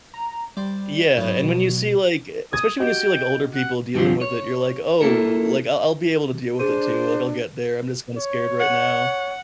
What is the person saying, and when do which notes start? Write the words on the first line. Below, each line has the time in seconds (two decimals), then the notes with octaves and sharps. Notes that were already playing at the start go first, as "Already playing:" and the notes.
Yeah, and when you see, like e especially when you see, like, older people dealing with it, you're like, "Oh, like, I'll I'll be able to deal with it, too, like, I'll get there, I'm just kinda scared right now."
0.14 A#5
0.57 G3 C5 D5
1.17 G#2 F#3 B3
1.43 B2
2.53 D#6 G#6
2.79 F#4 G4 D#5 G5
3.55 F#5
3.95 G2 D3 F3 F#3 F4
4.21 C#5
5.01 A#3 E4 A4 A#4
6.60 D4 G#4 C5 D#7
8.17 C#5
8.59 F#5